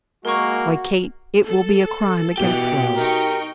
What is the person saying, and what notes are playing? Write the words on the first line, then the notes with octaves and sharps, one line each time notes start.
Why, Kate, it will be a crime against Love.
G#3 A#3 F#4 A#4 C#6
A4
B2 E3 F#4 G4
D#4 A#4 G5 C#6